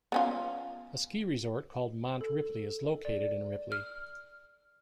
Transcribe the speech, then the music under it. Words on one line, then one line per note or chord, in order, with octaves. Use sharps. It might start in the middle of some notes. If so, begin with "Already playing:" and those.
A ski resort called Mont Ripley is located in Ripley.
B3 C#4 F4
A4
D5
F6